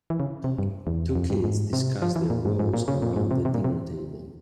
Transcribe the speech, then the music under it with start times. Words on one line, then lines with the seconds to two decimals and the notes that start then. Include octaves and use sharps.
Two kids discuss their woes around the dinner table.
0.10 E3
0.20 C#3
0.44 C3
0.58 G2
0.87 E2
1.15 F2
1.30 G2
1.44 G#2
1.73 C3
2.02 F3
2.16 E3
2.30 A#2
2.45 G#2
2.59 G#2
2.74 A#2
2.88 C#3
3.02 A#2
3.16 G#2
3.31 C3
3.45 C3
3.54 A#2
3.64 C3